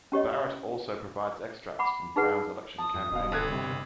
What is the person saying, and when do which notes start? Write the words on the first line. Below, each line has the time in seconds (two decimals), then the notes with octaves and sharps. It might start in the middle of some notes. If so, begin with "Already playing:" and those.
Barrett also provides extracts from Brown`s election campaign literature.
0.12 C#4 G4 C#5 D#5
1.79 F#5 B5 D6
2.16 D#4 G#4 B4 F#5
2.78 A5 D#6
2.94 F2
3.11 D#1 B2 F5
3.32 G1 A4 F#6 G#6
3.50 C3 G3